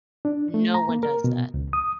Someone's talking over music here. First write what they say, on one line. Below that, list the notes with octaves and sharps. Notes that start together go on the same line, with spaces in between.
No one does that.
D4
A3
A#5
A#3
A#4
B2
C#2
D#6